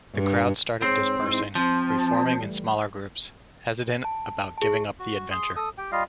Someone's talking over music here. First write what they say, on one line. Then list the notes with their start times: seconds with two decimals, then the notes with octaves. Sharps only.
The crowd started dispersing, re-forming in smaller groups, hesitant about giving up the adventure.
0.14 G2
0.82 G#2 C4 G#4 C#5
1.20 G#2 D#4 E4
1.55 F3 C4
2.39 E3 G3 A3
4.05 A5
4.58 G#4 A5
4.99 F#4
5.30 G#4 C6
5.56 A4 D#6
5.78 G4 G5
5.92 G3 F4 D#5 F5